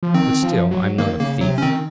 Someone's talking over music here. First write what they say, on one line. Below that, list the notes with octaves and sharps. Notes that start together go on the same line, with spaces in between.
But still I'm not a thief?
F3
D#3 C4
F3
F#3
D#3 A#3
C#3 A#3
C3 F#3
C#4
D#3 C4